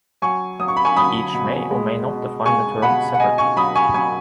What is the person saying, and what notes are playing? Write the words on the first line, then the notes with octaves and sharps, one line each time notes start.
Each may or may not define the term separately.
F#3 G#5 C#6
F#3 D#6
C#6
B5
G#5 C#6
F#3 B5 D#6
B2
G#3
B2
G#3 G#5 C#6
B2 F#5 B5
F#5
B2 D#5 G#5
G#5 C#6
F#3 B5 D#6
G#5 C#6
F#3 G#5 C#6